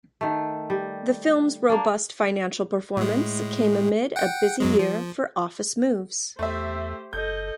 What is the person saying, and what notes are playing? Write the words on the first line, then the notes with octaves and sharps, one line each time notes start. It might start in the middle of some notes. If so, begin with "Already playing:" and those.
The firm's robust financial performance came amid a busy year for office moves.
D#3 A3
G3
A#3 D4
A2 G#3
F#5 G5
F#2 F#3 G#3
F3
E2 A3 G4 C5 E5
F#1 A4 D#5 G6